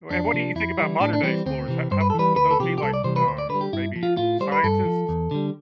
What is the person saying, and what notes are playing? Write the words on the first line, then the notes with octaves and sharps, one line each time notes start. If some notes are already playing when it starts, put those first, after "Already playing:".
And what do you think about modern day explorers? How how would those be, like, um, maybe scientists?
F2 D4
C3 F3
F2 E4
E3 G3
A2 D4
D4
E3 G3 C4
D2 C4
C3 E3
G2 C5
B4
A4
E3 G3 B4
D2 B4
A4
C3 F3 G4
G4
C2 A4
D5
C3 E3 G3 C5
B4
D2 C5
D5
D3 G3 B4
G4
G2 E4
F3
F4
A2 F4
G3 C5
B4
G2 A4
F3
E2
D3 G3